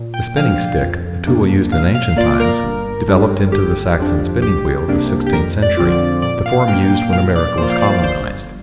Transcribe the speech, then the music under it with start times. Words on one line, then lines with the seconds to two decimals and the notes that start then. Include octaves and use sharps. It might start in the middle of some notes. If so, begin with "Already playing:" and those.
The spinning-stick, a tool used in ancient times, developed into the Saxon spinning-wheel of the sixteenth century, the form used when America was colonized.
Already playing: A#2
0.14 G5
0.37 F3 D4 F5
0.82 F2
1.27 C3 A#3 D4
1.72 A#2 F5
1.95 F5
2.17 A#3 F4 D5
2.40 A#4
2.63 G1
3.08 G2 G3 D4
3.52 G1 G4
3.98 F2 F3 D4
4.42 C2 G4
4.88 C3 A#3 D4
5.27 G4
5.33 F2 A#4
5.62 D5
5.77 D3 F3 C4 F4
5.92 D5
6.22 A#2 D5
6.46 F5
6.68 A#3 D4 G5
6.90 G5
7.13 A#2 F5
7.36 D5
7.58 F3 A#3 F4 C5
7.70 F5
7.81 D5
8.03 G1 C5